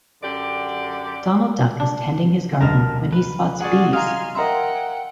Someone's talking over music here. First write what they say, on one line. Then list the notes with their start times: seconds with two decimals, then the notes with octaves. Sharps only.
Donald Duck is tending his garden when he spot bees.
0.22 F#2 D3 G4 D5
1.80 D4
2.60 D2 G2 A#4 D#5 A5 A#5
3.12 B4
3.60 F4 F#4 G#4 D5 F#5
3.93 D#5 F5 G#5 A#5 C6 F6
4.35 A#4 D#5 E5 F#5 G5 A#5 C6